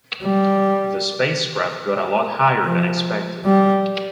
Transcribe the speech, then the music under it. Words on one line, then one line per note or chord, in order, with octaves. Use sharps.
The spacecraft got a lot higher than expected.
G3
F3
G3